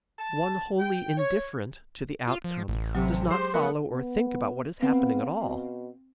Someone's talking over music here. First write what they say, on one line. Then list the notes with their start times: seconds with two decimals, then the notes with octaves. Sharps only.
One wholly indifferent to the outcome does not follow or think about what is happening at all.
0.18 A5
0.79 G5
1.17 C#5
2.28 F4
2.44 F3
2.68 A1
2.95 C3 F#3
3.30 G#3 G4 C5
3.54 F3 A3 B3 A#4
3.90 B3
4.82 B3 C4 F5
5.43 B2